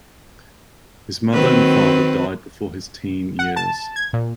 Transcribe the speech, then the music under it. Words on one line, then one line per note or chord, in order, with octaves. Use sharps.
His mother and father died before his teen years.
D#3 F#3 C4 B4
F#5
A5
G#6
A#2